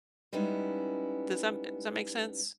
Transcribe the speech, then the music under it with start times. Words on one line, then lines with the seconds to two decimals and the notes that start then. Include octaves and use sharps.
Does that does that make sense?
0.33 G3 G#3 B3 C#4 D#4 E4